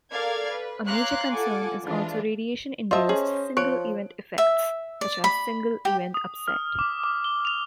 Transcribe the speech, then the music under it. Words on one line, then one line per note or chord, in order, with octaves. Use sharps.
A major concern is also radiation-induced "single-event effects" such as single event upset.
A4 A#4 D5 F5 F6 G#6
B4
C#5 F5 A#5 C6 D6 F#6
F4 A4 F#5 G#5 D6
E3 F3 G#3 D4 F4
F4 C5 D#5 E5 A5
C#4 G#4
F3 C#5 F#6 D7
E5
D5
B5
G4
D#6
F6
D6
D6
G7
F7